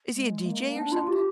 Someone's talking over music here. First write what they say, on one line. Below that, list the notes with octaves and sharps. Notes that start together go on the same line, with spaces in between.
Is he a DJ or something?
G#3
A#3
D4
F4
G4